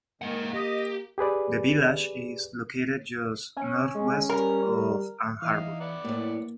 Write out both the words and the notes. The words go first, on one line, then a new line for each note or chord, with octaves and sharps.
The village is located just northwest of Ann Arbor.
D#3 G#3 A#3 F#5
G4 D#5
G4 G#4 B4 D5
C#4
G#3
G3 A#4
E3 D#4 E5 F5
B3 D5 F#5
F#2 A2 A#3